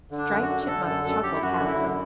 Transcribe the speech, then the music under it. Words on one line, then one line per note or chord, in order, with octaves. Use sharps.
Striped Chipmunk chuckled happily.
D3
D4
F#2
F#4
D3
D3 A4
F#2 A4
F#2 A4
F#2 G4
E4
F#2 F#4
D3
E4
F#2